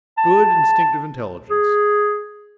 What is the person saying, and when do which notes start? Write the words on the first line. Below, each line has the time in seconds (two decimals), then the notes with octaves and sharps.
Good instinctive intelligence.
0.18 A5
1.50 G#4